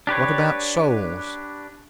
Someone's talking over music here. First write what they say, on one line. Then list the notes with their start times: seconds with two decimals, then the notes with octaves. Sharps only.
"What about souls?"
0.07 D4 G4 B4 C#5